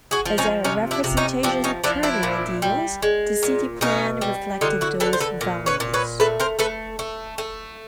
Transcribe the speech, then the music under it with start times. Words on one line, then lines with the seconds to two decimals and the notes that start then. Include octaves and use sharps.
As a representation of Turner ideals, the city plan reflected those values.
0.11 F#4 G#4
0.25 F3
0.38 C#4 D#4
0.64 C3 C#4 D#4
0.91 D4 E4
1.04 C3
1.17 C#4 D#4
1.43 F3 C4 D4
1.64 C#4 D#4
1.84 F3 D4 E4
2.03 D4 E4
2.23 A#2
2.62 G3
3.02 G#3
3.43 A#2
3.81 B2 C#4 D#4
4.21 G3
4.61 D3 D#4 F4
4.81 E4 F#4
5.00 D3 A4 B4
5.13 C5
5.20 A4 B4
5.41 A#2
5.66 B4 C#5
5.80 A#2
5.94 B4 C#5
6.20 A3 A4 B4
6.40 A#4 C5
6.59 A3 A4 B4
6.99 A3
7.38 A3